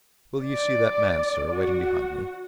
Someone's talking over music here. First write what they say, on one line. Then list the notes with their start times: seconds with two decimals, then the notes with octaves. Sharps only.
"Will you see that man, sir, waiting behind me?"
0.42 D5
1.51 F#4